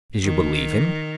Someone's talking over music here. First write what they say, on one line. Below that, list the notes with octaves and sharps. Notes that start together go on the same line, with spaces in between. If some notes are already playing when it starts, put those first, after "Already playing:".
"Did you believe him?"
D#3